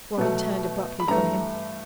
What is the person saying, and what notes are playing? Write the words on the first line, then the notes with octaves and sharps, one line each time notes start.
Robin turned abruptly from him.
B2 F#3 A3
B5
G2 E3 A3 A#5